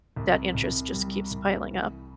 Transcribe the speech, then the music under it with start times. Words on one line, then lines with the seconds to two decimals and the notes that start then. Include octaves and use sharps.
that interest, just, keeps piling up.
0.16 C2
0.54 C2
0.94 G3
1.31 C2
1.70 E3